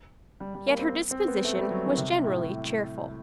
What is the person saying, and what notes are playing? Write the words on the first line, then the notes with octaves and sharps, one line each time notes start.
Yet her disposition was generally cheerful.
G3
G3
A#3
C4
C4
B3
A3
G3
F#3
D#3
C3
A2